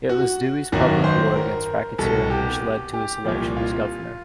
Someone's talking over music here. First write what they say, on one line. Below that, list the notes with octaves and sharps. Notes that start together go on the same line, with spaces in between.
It was Dewey's public war against racketeering which led to his election as governor.
F#4
G#1 F#2 D#3 F#4
C5
A#4
C2 B2 A4
G4
G4
C2 A#2 F3
F4